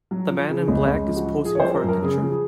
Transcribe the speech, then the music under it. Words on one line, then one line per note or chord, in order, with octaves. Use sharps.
The man in black is posing for a picture.
F#3
F3
C#3
C#2
C#2
F3
F#4
F3
F3 G#4
C#5
C5
F3
A#4
F#2
A#4
C#3 G#4
F3
G#4